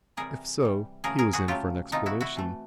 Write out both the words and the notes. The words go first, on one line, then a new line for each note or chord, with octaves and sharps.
If so, he was in for an explanation.
C3 E3 G3 G#4 A#4
C3 E3 G3
C#3 F#3 A3 G#4 A#4
G#4 A#4
F#4 G#4
C#3 F#3 A3 F4 G4
C3 E3 A3 D#4 F4
E4 F#4
E4 F#4
C3 E3 A3